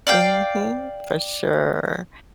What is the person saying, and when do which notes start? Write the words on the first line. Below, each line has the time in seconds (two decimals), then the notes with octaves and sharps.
Mhm. For sure.
0.07 D5 F5 G5